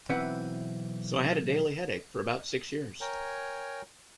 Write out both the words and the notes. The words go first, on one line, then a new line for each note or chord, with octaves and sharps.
So I had a daily headache for about six years.
B1 E3 C4 B4 E5 F#5
A#4 C#5 G5 G#5 A#5